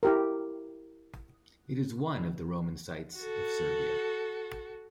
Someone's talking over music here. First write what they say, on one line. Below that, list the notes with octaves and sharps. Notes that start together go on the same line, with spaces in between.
It is one of the Roman sites of Serbia.
E4 G4 A#4
F#4 A4